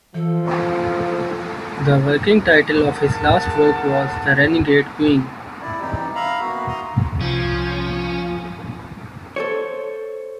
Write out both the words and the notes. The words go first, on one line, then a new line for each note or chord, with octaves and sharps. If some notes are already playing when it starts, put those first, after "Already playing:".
The working title of his last work was "The Renegade Queen".
E3 F3 A4
G#4 A#4 F#5 A5
E4 D5
C3 E3 C4 D#4 G4
E5 F5 A#5 B5
A#3 B3 F#4
A#5 C6 D#6
C2 F3 C#4
A4 C5 C#5